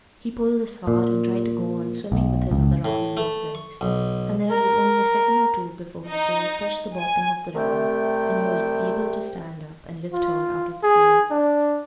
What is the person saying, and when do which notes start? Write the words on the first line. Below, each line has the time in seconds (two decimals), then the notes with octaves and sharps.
He pulled this hard, and tried to go on swimming with his other arm and both legs; and then it was only a second or two before his toes touched the bottom of the river, and he was able to stand up and lift her out of the pool.
0.87 A#2
2.12 B1
2.51 C#2
2.85 A2
3.17 A3
3.55 C#6
3.81 B1
4.51 A#4
6.08 D#4
6.95 G#5
7.55 C2 C3 A3 G5
10.13 F4
10.83 G#4
11.30 D4